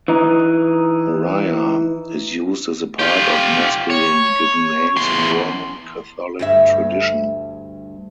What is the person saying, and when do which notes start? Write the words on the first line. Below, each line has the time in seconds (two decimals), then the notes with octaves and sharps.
"Maria" is used as a part of masculine given names in Roman Catholic tradition.
0.08 E3 D#4
2.99 F4 G4
3.90 C#5
4.97 E2 C6
6.39 D2 G2 E5